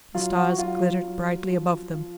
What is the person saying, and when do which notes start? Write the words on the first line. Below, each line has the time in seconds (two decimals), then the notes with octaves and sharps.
The stars glittered brightly above them.
0.15 F#3 F4
0.37 F#4
0.59 F#3 F4
1.03 F#3
1.49 F3
1.93 F3